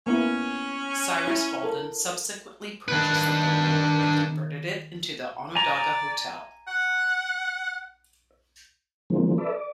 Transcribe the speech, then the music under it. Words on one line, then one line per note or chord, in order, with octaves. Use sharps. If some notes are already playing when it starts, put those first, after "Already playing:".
Cyrus Baldwin subsequently purchased the building and converted it into the "Onondaga Hotel".
A#3 B3 C#4 E4
E4 C#5
A4 A#4
D#3 D4 B4
D5 G#5 A#5
F#5
D3 E3 F3 G#3 A#3 C4
A4 B4 D5 E5
D5